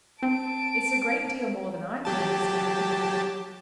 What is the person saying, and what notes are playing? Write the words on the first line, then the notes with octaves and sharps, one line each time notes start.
"It's a great deal more than I can understand."
C4 A5 D7
F#3 G4 A5